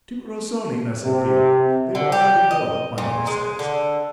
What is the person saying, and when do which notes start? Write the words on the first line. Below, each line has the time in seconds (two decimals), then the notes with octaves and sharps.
"Two grossoni, Messer Piero; they are all ready boiled, my mother says."
1.04 C3
1.95 D3
2.12 G4
2.51 D#5
2.98 A#2
3.27 G#3
3.59 D3